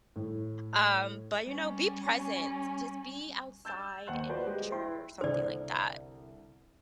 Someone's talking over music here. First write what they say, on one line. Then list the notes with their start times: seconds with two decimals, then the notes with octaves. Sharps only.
Um, but, you know, be present. Just be outside in nature or something like that.
0.16 A2
1.44 G3 C#4
3.65 E6 G6 A6 E7
4.07 D#2 C5 F#5 C6 F#6 F#7
4.29 F4 F#4 B4 C5 D5
4.47 G#3 G4
4.72 E4 G5 C6
5.21 C2 D3 C5 D5